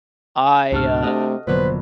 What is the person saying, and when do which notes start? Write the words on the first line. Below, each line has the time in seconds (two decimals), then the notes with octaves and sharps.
I, uh,
0.72 C#2 G#2 B2 D4 F#4 A4 F6
1.04 C3 A3 D#5
1.47 F1 A#2 D3 F#3 B3 B4 C5